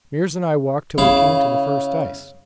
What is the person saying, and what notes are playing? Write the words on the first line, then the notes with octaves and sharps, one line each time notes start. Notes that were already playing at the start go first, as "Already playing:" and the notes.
Meares and I walked till we came to the first ice.
C#3 E4 F5